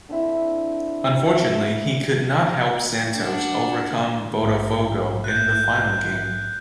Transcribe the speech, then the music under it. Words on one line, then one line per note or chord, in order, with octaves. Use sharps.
Unfortunately, he could not help Santos overcome Botafogo in the final game.
D3 C4 E4
D4 F#5
A#1 G#2 E5
F#6 G6